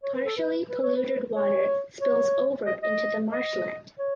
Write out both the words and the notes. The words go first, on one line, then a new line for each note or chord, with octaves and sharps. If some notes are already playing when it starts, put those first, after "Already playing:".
Partially polluted water spills over into the marshland.
C#5
B4
A4
B4
B4
C#5
B4
C#5
C#5
D#5
D#5
D#5
C#5